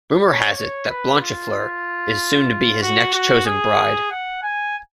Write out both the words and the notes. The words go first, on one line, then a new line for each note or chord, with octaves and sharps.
Rumour has it that Blanchefleur is soon to be his next chosen bride.
C#5
C#5
B4
F4
F#4
F#4
G#4
F#5
G#5